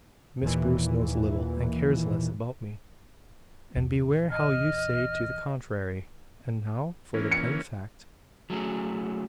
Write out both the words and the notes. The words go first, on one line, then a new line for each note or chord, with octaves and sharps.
Miss Bruce knows little, and cares less, about me; and beware how you say to the contrary!--And now for the plain fact.
D#2 A#2 E3
A#1 E2
D#5 F6
E3 A#3 C#4
C#7
F#3 A3 C#4 G#4